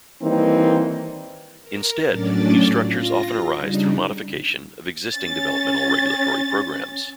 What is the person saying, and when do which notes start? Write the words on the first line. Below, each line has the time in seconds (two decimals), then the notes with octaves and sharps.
Instead, new structures often arise through modification of existing developmental regulatory programs.
0.22 D#3 E3 G3 A#3 C4 D#4
1.62 A#4
2.07 A2 F#3 C#4 D4 D5 A6
2.81 F4 A#6
3.56 C#3 G3 D4 D#4
5.12 C#4 A6